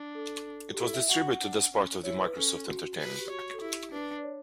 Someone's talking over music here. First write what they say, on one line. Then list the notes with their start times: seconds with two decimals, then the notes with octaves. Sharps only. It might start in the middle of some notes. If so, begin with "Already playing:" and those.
It was distributed as part of the Microsoft Entertainment Pack.
Already playing: D4
0.15 A4
0.74 G4
0.78 E4 A4
0.94 E5
1.09 F#4 F#5
1.42 D4
1.72 C#4
2.04 E4 C#5
2.19 B4
2.36 C#4 A4
2.67 F#4
2.97 B4
3.20 G4
3.30 F#4 C#5
3.54 A4
3.61 E4 G4
3.92 D4 B4
4.18 D5
4.23 C#5